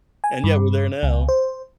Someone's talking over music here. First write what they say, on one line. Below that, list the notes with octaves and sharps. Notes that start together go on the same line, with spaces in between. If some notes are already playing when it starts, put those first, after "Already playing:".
And yeah, we're there now.
G#5
G2
C#2
C5